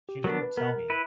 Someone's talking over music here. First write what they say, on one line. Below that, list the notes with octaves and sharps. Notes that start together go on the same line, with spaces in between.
She didn't tell me.
G4
F#3 B3 D4 A#4
B4
B3 A#4
E4 B4